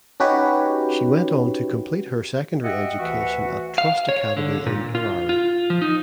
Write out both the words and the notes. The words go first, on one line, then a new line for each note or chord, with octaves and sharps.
She went on to complete her secondary education at Trust Academy in Harare.
C#4 D#4 F#4 G4 B4 C#5
F#4 G4 D#5 E5 F#5 G5
D2 E3 F#4 B4 E5 F#5
F5
C#5
D3
A#2
F4
F4
F3
D#4